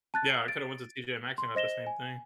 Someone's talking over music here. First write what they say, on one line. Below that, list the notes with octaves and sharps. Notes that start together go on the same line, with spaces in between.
Yeah. I coulda went to TJ Maxx and got the same thing.
A5 F#6 A6
C7
A6 D7
C6
C5 D#5 A#6 E7 G7
G#5